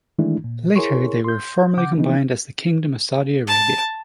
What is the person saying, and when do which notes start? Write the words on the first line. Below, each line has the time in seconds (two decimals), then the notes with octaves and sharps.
Later they were formally combined as the Kingdom of Saudi Arabia.
0.19 D#3 E3 G#3 A3 D4 E4
0.44 A#2
0.76 E4 G#4 A#4 C#5 C6 C#6
1.24 C6 G6
1.77 C#3 F#5 D6 G6
1.98 E3 F3 B3 D#4
3.47 A5